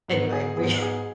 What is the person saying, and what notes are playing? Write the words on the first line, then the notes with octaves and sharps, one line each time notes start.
Anyway, we
G#2 F#3 B3
G#4
G#2 F#3 B3 G#4
G#4